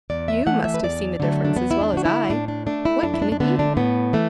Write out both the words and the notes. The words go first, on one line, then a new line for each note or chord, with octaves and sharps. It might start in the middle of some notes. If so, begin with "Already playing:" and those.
YOU must have seen the difference as well as I. What can it be?
E2 D5
E5
E3 A3 F#5
E5
B4
E2 D5
D3 F#3 A3
D4
E2 B3
E4
D4
D3 A3 F#4
E4
A2 D4
D4
A3 D4
E4
F#2 D4
E4
D4
D4
D3 A3 B3
D4
A2 B3
E3 A3